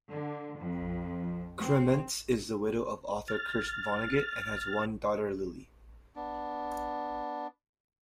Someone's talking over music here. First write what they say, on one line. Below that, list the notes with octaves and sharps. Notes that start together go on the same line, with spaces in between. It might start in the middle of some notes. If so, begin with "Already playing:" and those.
Krementz is the widow of author Kurt Vonnegut and has one daughter, Lily.
D3
F2
C4
F6 A6
B3 D4